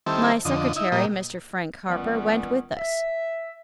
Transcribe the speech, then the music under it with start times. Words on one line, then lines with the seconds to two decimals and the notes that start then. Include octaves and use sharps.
My secretary, Mr. Frank Harper, went with us.
0.06 D#3 G3 C4 E4 A4
0.45 F2 D3 D#5
0.76 D#4 E4
0.92 A#2 G3 D#5
1.87 C#2 D#3 E3 G3 B3 C#4
2.77 E5